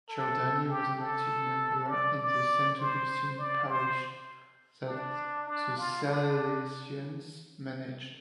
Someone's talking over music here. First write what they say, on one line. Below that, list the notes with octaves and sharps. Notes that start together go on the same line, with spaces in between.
Giordani was an active member in the Saint Augustine parish that the Salesians managed.
A4
G4
A4
D5
D5
C5
D5
C5
D4
D4
F4
D4